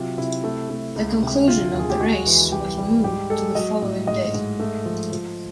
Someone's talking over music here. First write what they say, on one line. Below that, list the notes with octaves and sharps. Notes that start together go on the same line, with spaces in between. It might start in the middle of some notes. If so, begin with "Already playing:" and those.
The conclusion of the race was moved to the following day.
Already playing: C3 F#3 F4
C3 E4
A3
A3
C#2
C3
D3 F4
D#2
G#4
G4
G#3 F#4
E3
C2 G4
G3
G#2 G4
G#3 A4
F#3 D#5
A2
G#2 D#5
G#2
A3
F3
F3